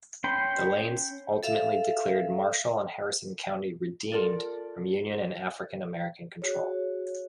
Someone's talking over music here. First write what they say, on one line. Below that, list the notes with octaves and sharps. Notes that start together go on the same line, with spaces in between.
The Lanes ultimately declared Marshall and Harrison County "redeemed" from Union and African-American control.
C#4 G5 B5 C6
A4 E5 F5
F4 A4 A#4 D5
F#4 G#4 C#5